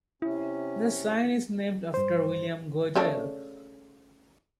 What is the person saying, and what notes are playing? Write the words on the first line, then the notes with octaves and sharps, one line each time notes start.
The sign is named after William Goodell.
C3 C#4 E4
G2 C5
C#3 A3 D4